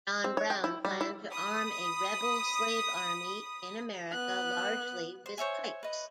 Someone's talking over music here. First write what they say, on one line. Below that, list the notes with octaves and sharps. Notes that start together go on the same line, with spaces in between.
John Brown planned to arm a rebel slave army in America largely with pikes.
C4
C#5
G5
E4
G3
E4
B5 D#6
B3 F#6
C5
C5 C#5 E5 G#5
B4 D#5